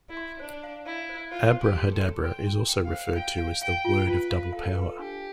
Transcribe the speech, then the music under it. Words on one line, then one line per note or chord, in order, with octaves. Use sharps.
"Abrahadabra" is also referred to as the "Word of Double Power".
E4
C6
D4 C5
F5
E4 F5
C5
F4 C5
C5
G4
C6
A4
C6
G5 C6
C6
G5
F5
C5
F5 G5
F5
F5 G5
F4
F4 B4
F5
A4 F5
B4
D4 G4